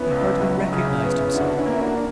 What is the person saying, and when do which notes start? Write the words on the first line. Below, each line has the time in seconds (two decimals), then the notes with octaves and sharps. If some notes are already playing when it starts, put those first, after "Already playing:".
He hardly recognized himself.
Already playing: B3 C#4 E4
0.11 C#2
0.41 F#3
0.73 C#3
1.03 B3
1.34 D3 D4 F#4
1.58 C#4 E4
1.66 A#3
1.81 D4 F#4